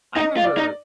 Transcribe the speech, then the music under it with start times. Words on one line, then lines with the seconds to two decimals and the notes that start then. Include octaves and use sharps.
I remember
0.16 D#4 D#5
0.37 F4
0.44 D5
0.57 D#4